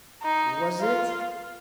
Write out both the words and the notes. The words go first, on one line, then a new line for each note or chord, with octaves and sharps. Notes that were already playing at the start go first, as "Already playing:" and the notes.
"Was it?"
D#4
F4